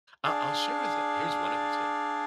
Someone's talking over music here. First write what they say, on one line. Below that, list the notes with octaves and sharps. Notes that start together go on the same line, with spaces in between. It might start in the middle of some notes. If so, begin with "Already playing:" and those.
I'll I'll share with ya, here's one other tip,
D4 G#4 D5 F5